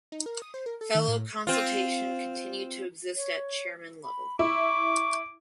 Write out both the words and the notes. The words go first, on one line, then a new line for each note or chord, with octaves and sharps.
Fellow consultation continued to exist at chairman level.
D#4
A#4
D#6
C5
A#4
A4
D#3
A2
C4 F4
C#5
B5
E4 C#6 D6